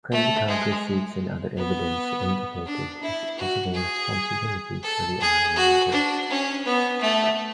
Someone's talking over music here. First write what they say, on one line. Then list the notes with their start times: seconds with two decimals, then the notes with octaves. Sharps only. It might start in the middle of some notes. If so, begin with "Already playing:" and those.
Credit card receipts and other evidence indicated his possible responsibility for the Ohio murders.
0.11 A3
0.47 G#3
1.57 B3
2.66 D4
3.02 E4
3.38 F#4
3.74 G#4
4.83 A4
5.20 G#4
5.56 F#4
5.92 D4
6.29 C#4
6.65 B3
7.01 A3